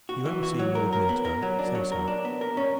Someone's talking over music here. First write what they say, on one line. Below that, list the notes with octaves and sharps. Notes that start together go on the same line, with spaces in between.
If you ever see Lord Minto, say so.
F#4
E3
F#4
F#3
A#4
A#4
B3
A#4
F#3
D4
F#3
A#4
D4
B3
A#4
C#4